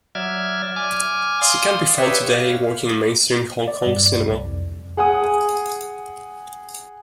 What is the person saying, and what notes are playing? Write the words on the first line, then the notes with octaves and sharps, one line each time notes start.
She can be found today working in mainstream Hong Kong cinema.
F#3 D5 E5 F6 G#6
G#5 D6 F6
D5 F5 C6 D#6
G4 B4 C#5 E5
F5
D5
G2
C2
F2
G#4 F#5 G#5 D#6